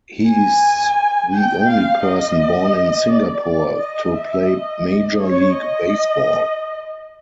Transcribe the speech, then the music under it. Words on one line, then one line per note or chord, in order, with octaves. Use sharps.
He is the only person born in Singapore to play Major League Baseball.
G#5
G5
F5
D#5
D5
D5
D#5
E5
D#5
C#5
D#5